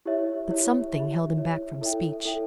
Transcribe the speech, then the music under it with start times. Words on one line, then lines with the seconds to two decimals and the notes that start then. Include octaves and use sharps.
But something held him back from speech.
0.06 E4 G4 C#5 E5
0.50 E4 G4 C#5 E5
0.94 E4 G4 C#5 E5
1.37 E4 G4 C#5 E5
1.81 E4 A4 C#5 E5 G5
2.25 E4 A4 C#5 E5 G5